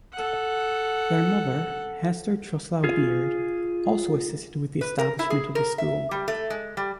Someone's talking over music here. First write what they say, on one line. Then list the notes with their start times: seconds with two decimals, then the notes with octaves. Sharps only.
Their mother, Hester Truslow Beard, also assisted with the establishment of the school.
0.13 A4 F#5
2.84 F4 G#4
4.81 B4
4.99 A#4
5.19 E4
5.30 G#4
5.55 A#4
5.78 E5
6.11 G3
6.28 A3
6.50 G#3
6.77 G3